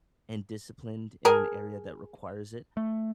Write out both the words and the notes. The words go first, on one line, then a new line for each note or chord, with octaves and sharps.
and disciplined in an area that requires it.
G#4 A#4
A3